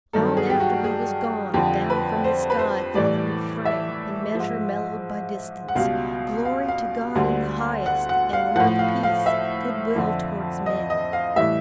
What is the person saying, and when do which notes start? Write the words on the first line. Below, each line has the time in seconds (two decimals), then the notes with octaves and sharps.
Long after he was gone, down from the sky fell the refrain in measure mellowed by distance, "Glory to God in the highest, and on earth peace, good-will towards men."
0.13 G2 D#3 F#3 A4
0.37 G#4
0.50 G4
0.60 F#4
0.84 G#4
1.54 F2 D3 F3 G4
1.90 B4
2.24 C5
2.50 B4
2.59 C5
2.94 A2 E3 G3 D5
3.65 E5
4.35 F3
4.40 G#2
5.68 F#5
5.75 C#2 B2 G3 F5
6.45 F5
6.68 F5
7.15 D2 D3 G3
7.86 F#5
8.09 F#5
8.33 F5
8.56 F3 F#5
8.60 A2
8.67 F#5
8.79 F5
9.03 F5
9.26 E5
9.96 F2 D3 F3
10.66 D#5
10.90 D#5
11.13 F5
11.36 A2 E3 G3 E5